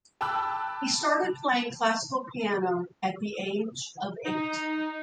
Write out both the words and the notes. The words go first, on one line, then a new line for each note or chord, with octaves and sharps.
He started playing classical piano at the age of eight.
G5 A5 B5 D6 E6 F#6
D#4